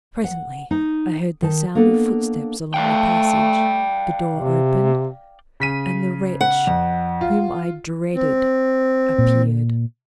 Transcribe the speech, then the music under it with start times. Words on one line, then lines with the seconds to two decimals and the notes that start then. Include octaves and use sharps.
Presently I heard the sound of footsteps along the passage; the door opened, and the wretch whom I dreaded appeared.
0.24 F#5
0.71 D#4
1.42 D#3 A5
1.75 A#3 B3 D4 A4
2.74 A3 D5 F5 G5
4.35 C3
5.60 C#3 B6 D#7
6.41 F#5
6.67 F2
7.21 F4
8.15 C4
9.18 A#2